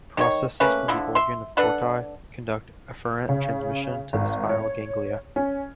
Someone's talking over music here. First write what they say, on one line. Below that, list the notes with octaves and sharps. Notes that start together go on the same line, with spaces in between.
Processes from the organ of Corti conduct afferent transmission to the spiral ganglia.
D#3 G4 C#5
A3 A#3 C#4 B4
D3 F3 E4
E5 C6
D4 A4 B4 F#5
C#3
G#1
C#5
C#4